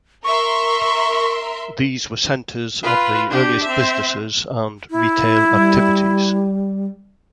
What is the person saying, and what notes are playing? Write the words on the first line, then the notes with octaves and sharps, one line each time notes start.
These were centers of the earliest businesses and retail activities.
A#4 E5 C6 C#6
F4 B4
D4 G4
C4 E5
E4
G3